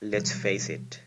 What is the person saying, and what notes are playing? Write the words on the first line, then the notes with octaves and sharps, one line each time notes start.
Let’s face it!
B2 E3 F#3 G3